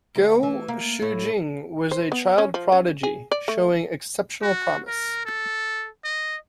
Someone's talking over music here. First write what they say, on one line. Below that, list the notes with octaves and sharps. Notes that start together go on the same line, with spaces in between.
Guo Shoujing was a child prodigy, showing exceptional promise.
D2
E3
A#3
A2
C5
B3
C#4
F3
C#4
G#4
D5
A3
F#4
A#4
A4
D#5